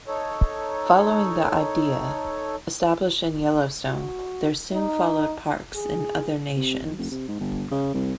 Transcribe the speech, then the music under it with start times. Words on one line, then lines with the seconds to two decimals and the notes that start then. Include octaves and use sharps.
Following the idea established in Yellowstone, there soon followed parks in other nations.
0.07 D#4 A4 C#5
3.85 F#4
4.72 D#4
5.75 G#4
6.56 C3
6.84 D#3
6.98 F1
7.11 C3
7.28 G#2
7.40 G1
7.71 C#3
7.94 C2